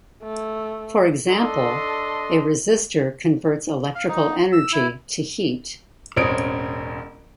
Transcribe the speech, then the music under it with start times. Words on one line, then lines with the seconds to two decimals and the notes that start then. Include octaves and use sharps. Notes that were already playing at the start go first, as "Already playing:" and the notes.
For example, a resistor converts electrical energy to heat.
0.23 A3
1.30 D4 A4 D#5 C6
3.95 F5
4.09 D#4
4.53 E6
4.72 E4
6.16 E1 A1 C4 C#4 D#6 D7